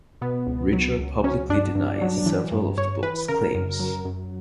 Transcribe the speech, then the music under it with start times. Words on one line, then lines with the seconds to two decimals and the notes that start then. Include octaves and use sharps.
Richer publicly denies several of the book's claims.
0.21 B2 B3
0.47 C#2
0.73 F#3
0.98 C#2
1.24 F#3 C#4
1.49 G2 D4
1.75 G2
2.01 F#3
2.26 E3
2.52 G2
2.78 G2 C#5
3.03 E3 B4
3.28 C#3 A#4
3.55 F#2
3.80 F#3
4.05 F#2